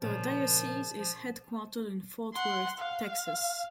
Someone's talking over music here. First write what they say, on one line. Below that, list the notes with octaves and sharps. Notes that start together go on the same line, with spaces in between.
The diocese is headquartered in Fort Worth, Texas.
A#2 C#3 F3 A#4
F3
F#5 C6
F5